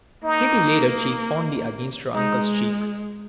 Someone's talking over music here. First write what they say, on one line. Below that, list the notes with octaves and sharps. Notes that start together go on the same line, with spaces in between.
Kitty laid her cheek fondly against her uncle's cheek.
A#3 D#4
G#3 D#4